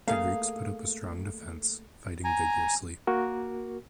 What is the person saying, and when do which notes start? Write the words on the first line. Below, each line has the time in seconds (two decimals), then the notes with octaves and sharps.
The Greeks put up a strong defense, fighting vigorously.
0.08 A3 A#3 G#4 F5
2.24 G#5 A#5
3.07 A#3 F#4 A#4